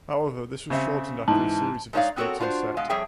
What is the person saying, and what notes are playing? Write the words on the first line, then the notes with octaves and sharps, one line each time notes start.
However, this was shortened after a series of disputes on set.
C#3 C4 E5
G#2 E3 A5
G#3 A3 D#4 C#5 D5 F5
B3 C4 F#4 A4 A#4 C#5
D4 F4 F#4 A4 C5
B2 G#3 D#5 F5
F2 G3 G#4 C#5 E5 G5